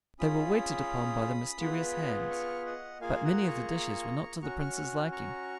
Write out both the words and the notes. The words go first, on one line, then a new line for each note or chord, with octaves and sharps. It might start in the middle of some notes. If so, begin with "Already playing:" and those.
They were waited upon by the mysterious hands, but many of the dishes were not to the Prince's liking.
C#4 F4 G#4 B5 D#6
B3 F4 G#4
C#6 F6
D#5 F#5
A#3 F4 G#4 F5 G#5
F#5 A#5
A#5 C#6
C#4 F#4 A#5 C#6
C#6 F6
C#6 F6
A#5 C#6